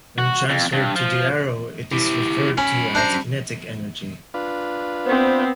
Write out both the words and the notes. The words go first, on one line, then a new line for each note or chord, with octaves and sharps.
When transferred to the arrow it is referred to as kinetic energy.
F#4
F2
G2
F3
E4 G4
F#2 C#4 B5
D4 C5 A#5
D4 F4 B4
B3 C4 C5